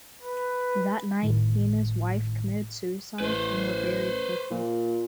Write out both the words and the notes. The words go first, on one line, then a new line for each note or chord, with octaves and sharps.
That night, he and his wife committed suicide, and were buried quickly.
B4
G1 A2 D#3
A1 B4 C5
A#2